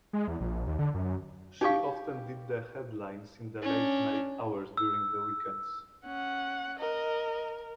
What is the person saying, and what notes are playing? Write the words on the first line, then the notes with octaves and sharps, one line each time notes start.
She often did the headlines in the late night hours during the weekends.
G#3
E2
A#1
D#2
D3
F#2
D#4 G4 F5 G5 C#6
C#4 D4
E6
C#4 F#5
A#4 D#5